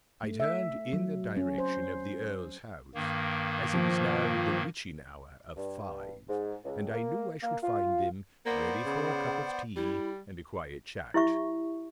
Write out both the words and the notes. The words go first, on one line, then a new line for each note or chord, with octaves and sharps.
I turned in the direction of the Earl's house, as it was now 'the witching hour' of five, and I knew I should find them ready for a cup of tea and a quiet chat.
A3
E5
F#3
C#4
C5
G2 D#3 A#3
F3
G2
G#2
C#2
A#3
A#3
F4
A#3 B3 C5 D5 F#5
C#3
G3 E4
E4 G4 E5 C#6